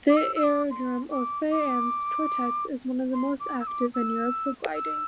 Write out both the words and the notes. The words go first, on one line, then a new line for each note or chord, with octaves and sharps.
The aerodrome of Fayence-Tourettes is one of the most active in Europe for Gliding.
D6
E6
E6
D6
C6
D6
D6
C6
D6
E6
D6
E6
E6